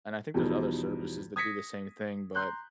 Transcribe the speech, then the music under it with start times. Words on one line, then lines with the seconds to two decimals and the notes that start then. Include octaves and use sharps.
and, I think there's other services that do the same thing, but,
0.34 E2 B2 F3 G3 D#4
1.36 D#6 G#6 A#6 B6 C#7
2.35 A#5 C6 F#6 G6